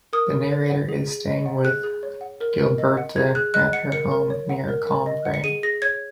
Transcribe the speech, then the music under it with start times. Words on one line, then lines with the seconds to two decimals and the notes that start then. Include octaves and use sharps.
The Narrator is staying with Gilberte at her home near Combray.
0.13 A#4 D#6
0.32 A#4
0.50 C#5
0.70 F#5
0.89 G#4
1.08 G#4
1.26 D#5
1.46 F#5
1.64 G#4 F#6
1.83 G#4
2.03 C#5
2.21 F#5
2.41 A#4
2.59 A#4
2.78 D#5
2.97 F#5
3.16 G#4 G#6
3.35 G#4 F#6
3.54 D#5 F#6
3.73 F#5 C#7
3.92 A#4 C#7
4.11 A#4
4.30 C#5
4.49 F#5
4.68 A#4
4.87 A#4
5.06 D#5
5.25 F#5
5.34 C#7
5.44 G#4 D#7
5.63 G#4 A#6
5.82 C#5 G#6